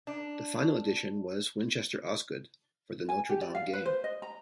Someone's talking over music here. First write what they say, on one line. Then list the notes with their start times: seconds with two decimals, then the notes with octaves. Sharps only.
The final addition was Winchester Osgood for the Notre Dame game.
0.07 D4
3.09 G#5
3.29 G4
3.41 D5
3.55 F5
3.73 B4
3.86 C5
4.04 D#5
4.22 A#5